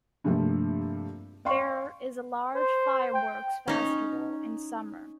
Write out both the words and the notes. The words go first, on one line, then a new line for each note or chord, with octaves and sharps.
There is a large fireworks festival in summer.
G2 C3 F3 G3 A3 A#3
D5 F5 G5 C6 C#6
C5
G5
C#4 D#4